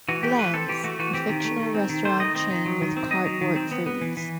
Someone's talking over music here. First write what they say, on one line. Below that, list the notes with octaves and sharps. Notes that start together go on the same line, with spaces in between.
Bland's, a fictional restaurant chain with cardboard foods.
E3 F#4
A3 G4
E3 B4
C4 A4
E3 G4
A3 F#4
E3 F#4
C4 G4
D#3
A3
D#3
C4
D#3
A3 C5
D#3 D#5
C4 D#5
D#3
F#3
D#3
C4
D#3 D#5
F#3
D#3
C4
B3
B3
E3
E3